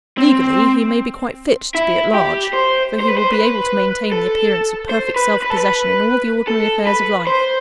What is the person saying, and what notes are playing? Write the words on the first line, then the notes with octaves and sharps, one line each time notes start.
Legally, he may be quite fit to be at large; for he will be able to maintain the appearance of perfect self-possession in all the ordinary affairs of life.
C4
E4
G4
C5
C5
B4
C5
B4
A4
C5
B4
B4
A4
B4
A4
B4
C5